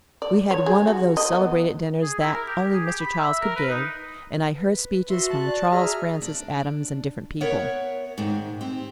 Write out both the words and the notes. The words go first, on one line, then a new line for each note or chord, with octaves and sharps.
We had one of those celebrated dinners that only Mr. Childs could give, and I heard speeches from Charles Francis Adams and different people.
D5
C#5
G#4
F#4
D#5
B3
G#4
E4
A#4
G4
G#4
G4
B5
E5
A#4
B4
D#4
B4
F#4 E5 C6
A5 F#6
D5
F#4 G#4 E5 A#5 F6
D4
B3 A#4 C#5 E5 F#5
G#2 D#3
C4 G4